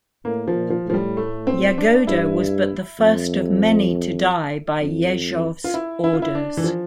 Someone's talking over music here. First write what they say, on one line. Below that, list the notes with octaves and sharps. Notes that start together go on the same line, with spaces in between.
Yagoda was but the first of many to die by Yezhov's orders.
A2 A#3
F3
A#2
F3
A2 F3
G3
A3
C4
D4
G2 E4
F2
F2
F4
E4
E4
F4
E4
D4
E3
F3